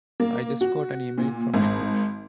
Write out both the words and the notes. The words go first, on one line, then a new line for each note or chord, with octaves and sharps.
I just got an e-mail from my crush!
A#3
F#4
A#2
G#1